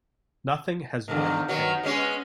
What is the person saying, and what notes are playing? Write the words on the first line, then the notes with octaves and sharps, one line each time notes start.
Nothing has really changed.
E2 D3 D#3
D#3 F#3 B3
G#3 B3 C#4